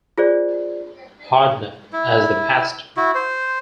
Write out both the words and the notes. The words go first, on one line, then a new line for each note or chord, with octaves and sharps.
Hodnett as the pastor.
F4 G#4 C5 D5
E4
E4 F#4
C5